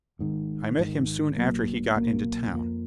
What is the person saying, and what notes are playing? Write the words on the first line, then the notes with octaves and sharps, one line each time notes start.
I met him soon after he got into town.
G#1 G#2 D#3
G#1 G#2 D#3
B1 A#2 F#3 A#3
B1 A#2 F#3 A#3
F2 F3 A#3